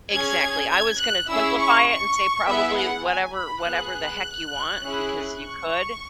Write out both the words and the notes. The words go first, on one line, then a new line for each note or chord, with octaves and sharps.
Exactly, I was gonna simplify it and say, "Probably whatever whatever the heck you want, because you could,"
C#4 G#4 G#6
G#6
F#6
C#4 E4 G#4 E6
C#6
C#6
B3 E4 G#4 E5
F#5
G#5
B5
B3 G#4 F#6
C#4 E4 G#4
C#6